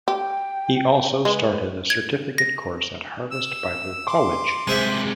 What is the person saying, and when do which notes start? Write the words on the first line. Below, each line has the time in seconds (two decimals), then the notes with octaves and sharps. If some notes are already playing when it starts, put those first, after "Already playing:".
He also started a certificate course at Harvest Bible College.
0.08 G4 G5
1.25 G#3 B4
1.90 G#6
2.38 A#6
3.31 E6
4.07 C6 D6
4.67 C3 G#3 G#4 C5 E5